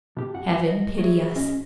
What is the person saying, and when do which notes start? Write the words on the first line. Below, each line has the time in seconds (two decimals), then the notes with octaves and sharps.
Heaven pity us!
0.17 B2 G4
0.33 B1 F#2 F#4 F#5
0.67 D#5
0.98 F#4 G#4 E5
1.35 G#2 C#4 D#5